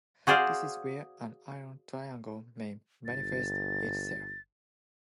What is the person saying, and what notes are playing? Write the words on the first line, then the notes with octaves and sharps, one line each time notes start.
This is where an iron triangle may manifest itself.
F#4 G#4 C5 D5 F5
G1 A6